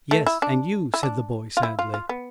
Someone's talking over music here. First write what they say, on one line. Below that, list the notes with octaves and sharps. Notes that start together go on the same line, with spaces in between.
"Yes; and you," said the boy sadly.
A3
E4
D4
E4
D4
F4
E4
F4
F4
B3